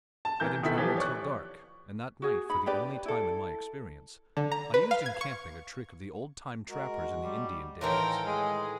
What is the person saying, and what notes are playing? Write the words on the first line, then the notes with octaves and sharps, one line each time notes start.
I then traveled till dark, and that night, for the only time in my experience, I used in camping a trick of the old-time trappers in the Indian days.
A5
C2 E3 A#4 G6
B2 D#3 B3 E4 A4 B6
E3 F3 G3
C#5 D5 C#6 F#6
F#4 G#4
D#4 B5
D4 G4 B4 D5
E4 A4
D3
A#5
B4
F5
G#6
C#6
G#3 F#4 A#4
G3
A2 D#3 E3 A4 A#4 C5 F5 G5
G#3 G#4